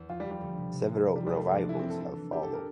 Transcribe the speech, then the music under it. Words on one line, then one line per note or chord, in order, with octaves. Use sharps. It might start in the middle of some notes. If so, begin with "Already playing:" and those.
Several revivals have followed.
Already playing: E2
F3 F4
G3
F3
G3
D2
C3
C3
F3
F3
G3
F3
G3
A3 A#3
A#3 D4
E3 E4
C4
F4 A4
D4 A4
E3
D4 G4
A4
D4
A#4